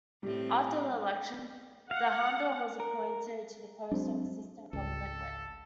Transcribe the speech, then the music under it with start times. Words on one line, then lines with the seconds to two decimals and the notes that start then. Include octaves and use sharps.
After the election, Dhanda was appointed to the post of Assistant Government Whip.
0.23 A2 G3 C4
1.91 F5 F#5
2.80 A#4
3.92 F#3 G#3 C4 D4
4.73 G#1 C#2 A4